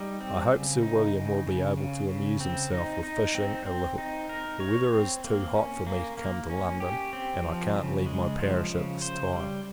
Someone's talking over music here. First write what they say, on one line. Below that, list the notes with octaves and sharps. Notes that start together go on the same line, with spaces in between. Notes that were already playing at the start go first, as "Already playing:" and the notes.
I hope, Sir William will be able to amuse himself with fishing a little. The weather is too hot for me to come to London, and I can't leave my parish at this time.
Already playing: G3 D#4
C4
C#3
D#4
C#3
C#3
C#3
C#3
C4
D#4
D#4
C4
C4
D#4
A#4
C#5
C4
A#3
C#4
A#3
A#3
C#4
G4
C4
F3
C#3
G#3
F3
C#3
C5
G3